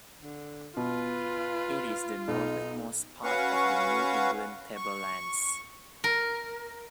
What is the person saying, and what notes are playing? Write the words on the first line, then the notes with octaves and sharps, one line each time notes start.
It is the northernmost part of the New England Tablelands.
D3
B2 F4 B4
B1 D#4
C#4 F#4 B4 F5 F#5 C#6
C#6
A#4